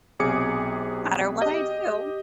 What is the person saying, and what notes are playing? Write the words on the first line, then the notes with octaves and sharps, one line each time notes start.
no matter what I do,”
B1 C3 G#4 G#5 D6 C#7
G4 D#5